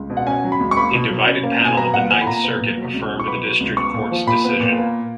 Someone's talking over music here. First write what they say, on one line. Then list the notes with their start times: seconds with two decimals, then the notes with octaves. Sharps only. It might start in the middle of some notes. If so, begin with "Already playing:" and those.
A divided panel of the Ninth Circuit affirmed the District Court's decision.
Already playing: C#2
0.10 B2
0.17 F#5
0.27 C#4 G#5
0.44 F#3
0.52 B5
0.61 C#2
0.71 C#6
0.77 A#3 B5
0.93 B2
1.10 F#3
1.27 C#4
1.43 A#3
1.60 B2
1.65 G#5
1.77 B3 A#5
1.94 A#2 F#5
2.10 F3 G#5
2.21 B5
2.27 A#2 A#5
2.44 B3
2.61 A#2
2.77 F#3
2.94 C#2
3.11 B2
3.20 C#6
3.27 B3 B5
3.43 F#3
3.61 C#2
3.77 B3 C#6
3.94 A#2
4.11 F3
4.27 A#2 B5
4.44 B3
4.60 A#2
4.77 A#3